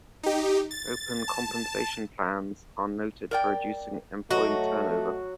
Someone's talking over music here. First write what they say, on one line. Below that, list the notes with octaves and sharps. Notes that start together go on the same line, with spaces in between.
Open compensation plans are noted for reducing employee turnover.
D#4 G4
A6
A5
A#4 D5 G5
F#3 A3 F#4 D#5